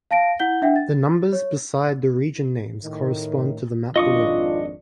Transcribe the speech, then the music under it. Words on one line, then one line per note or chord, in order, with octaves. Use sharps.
The numbers beside the region names correspond to the map below.
F5 A5 A#6 D7
E4 F#5 G6 G7
D4 E5 F#5 G5
A6
C#5
A2 D#3
G#1 F2 D4 F4 D#5 C#6 D#6